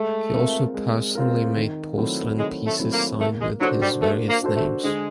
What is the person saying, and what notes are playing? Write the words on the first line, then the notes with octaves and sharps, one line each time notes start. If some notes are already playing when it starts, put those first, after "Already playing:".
He also personally made porcelain pieces signed with his various names.
Already playing: G#3 A3
C4 F4 A#4
G#3
C4 F4 A#4
D#3
F#3 A3 C4 E4
D#3 G#3
A3
F#3 A3 C4 E4
A#3
A3 A#3
G#3
F#3 D4 F#4 A4 C5
G3
A3 A#3
A#3
D4 F#4 A4 C5
A3
D3 G#3